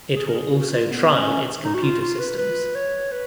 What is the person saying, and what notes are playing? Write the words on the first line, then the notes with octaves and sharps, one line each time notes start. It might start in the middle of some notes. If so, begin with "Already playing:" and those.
It will also trial its computer systems.
G#4
A#4
G#4
F#4
F4
B3
C#4
D#4
F#4
F4
F4
B4
B4
C#5
B4